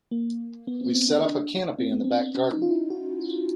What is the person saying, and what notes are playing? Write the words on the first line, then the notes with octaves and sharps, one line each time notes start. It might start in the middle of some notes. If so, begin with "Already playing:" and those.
We set up a canopy in the back garden.
A#3
B3
C4
B3
C4
D4
D4
C4
B3
C4
C#4
D#4
F4
E4
F#4